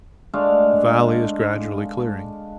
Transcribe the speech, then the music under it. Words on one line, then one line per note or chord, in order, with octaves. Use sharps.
The valley is gradually clearing.
G#3 A3 D4 F5